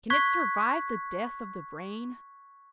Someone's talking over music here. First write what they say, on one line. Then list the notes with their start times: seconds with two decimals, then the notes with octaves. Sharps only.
Can it survive the death of the brain?
0.10 C#6 F#6 G#6 B6